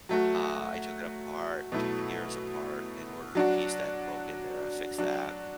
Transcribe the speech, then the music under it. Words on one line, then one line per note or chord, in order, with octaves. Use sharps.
uh, I took it apart took the gears apart, in order to piece that It broke in there, I fixed that.
F#3 A3 F#4
B2 F#3 A3 E4
F#3 D4 F#4
F#3 D4 F#4